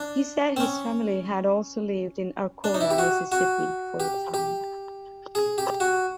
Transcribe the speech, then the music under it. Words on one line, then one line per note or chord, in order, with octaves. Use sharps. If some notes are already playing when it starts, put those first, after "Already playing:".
He said his family had also lived in Arcola, Mississippi, for a time.
Already playing: D4
C4
C#4
D4
D#4
E4
G4
F#4
F#4
G4
G4
G#4
G4
F#4